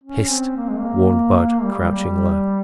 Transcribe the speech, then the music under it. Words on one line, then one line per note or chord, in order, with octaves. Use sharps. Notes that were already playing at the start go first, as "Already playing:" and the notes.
"Hist!" warned Bud, crouching low.
C#4
C4
A#3
G#3
A#3
G3
G3